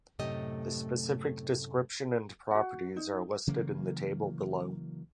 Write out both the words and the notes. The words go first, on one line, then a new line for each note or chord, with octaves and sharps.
The specific description and properties are listed in the table below.
F#2 A2 C3 A3 G4 D#5
F#4 F#5
D#4
C#3 E3 F#3 A#3